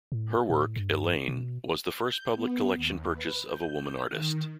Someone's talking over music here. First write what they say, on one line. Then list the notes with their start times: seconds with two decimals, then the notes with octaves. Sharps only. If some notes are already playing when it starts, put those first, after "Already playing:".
Her work, "Elaine", was the first public collection purchase of a woman artist.
0.12 A2
0.50 A2
0.76 G2
1.28 B2
2.04 G6
2.35 B3
2.76 D#2
3.13 B4
3.47 G6
4.10 D#3